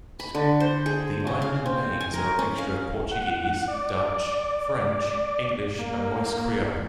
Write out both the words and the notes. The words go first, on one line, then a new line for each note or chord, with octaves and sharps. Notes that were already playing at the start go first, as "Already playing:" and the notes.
The island names are a mixture of Portuguese, Dutch, French, English and Ilois Creole.
B5
D3
C5
G#4
C#3
F5
C4
G#5
A#4
C#4
F5
F#5
D5
A#3